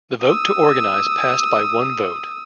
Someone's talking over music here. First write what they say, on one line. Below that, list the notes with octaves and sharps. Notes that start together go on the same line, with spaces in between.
The vote to organize passed by one vote.
D#6 E6